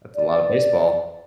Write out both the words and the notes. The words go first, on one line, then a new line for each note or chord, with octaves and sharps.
That's a lotta baseball.
D5